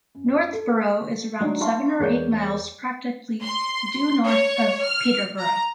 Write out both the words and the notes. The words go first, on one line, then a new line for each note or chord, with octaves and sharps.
Northborough is around seven or eight miles practically due north of Peterborough.
F#2
A4
F#3 D4 D#4
E4 F5 A5 C6 C#6
E2 G#3 A#4 C#5 D5 G6
C6
C#5
F6
A#5